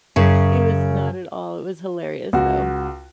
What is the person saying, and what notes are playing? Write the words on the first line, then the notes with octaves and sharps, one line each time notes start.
It was not at all. It was hilarious, though.
F#2 C#3
C#2 F#4